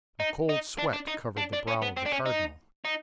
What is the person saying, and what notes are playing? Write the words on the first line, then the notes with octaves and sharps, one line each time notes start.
A cold sweat covered the brow of the cardinal.
D#4
D#4
D4
D4
D#4
D4
D4
C#4
B3
C4
D4
C#4
D#4
D#4